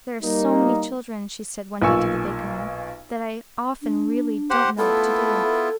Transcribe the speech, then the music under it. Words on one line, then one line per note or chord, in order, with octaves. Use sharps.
"There are so many children," she said one day to the baker-man, "that I often really do n't know what to do!"
G3 A#3 D#4
B1 A#2 G#5 C#6 E6
D4
G4 C5 F#5
A3 B3 E4 F4 A4